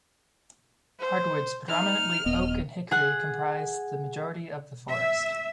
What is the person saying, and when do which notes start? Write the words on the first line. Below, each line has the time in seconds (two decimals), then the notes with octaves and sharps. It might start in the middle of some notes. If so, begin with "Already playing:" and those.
Hardwoods, predominantly oak and hickory, comprise the majority of the forest.
1.00 C5
1.69 D#4 F6
2.26 D#1 B3 D#5
2.91 G#4 F#5
4.90 E5